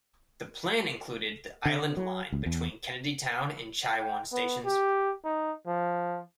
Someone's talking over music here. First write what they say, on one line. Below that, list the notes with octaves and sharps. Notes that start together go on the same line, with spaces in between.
The plan included the Island Line between Kennedy Town and Chai Wan stations.
D3
F#3
C#2
E2
G5
B3
G4
D#4
F3